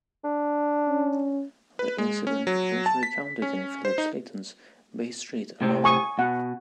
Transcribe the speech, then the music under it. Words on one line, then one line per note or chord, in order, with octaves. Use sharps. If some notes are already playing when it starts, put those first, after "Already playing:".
The incident is also recounted in Philip Slayton's "Bay Street: A Novel".
D4
C#4
B4
G#3
C#4
F#3
A5
B6
C#4
C5
D#4
A2 C3 C4
G#5 C#6 D#6
B2 F#5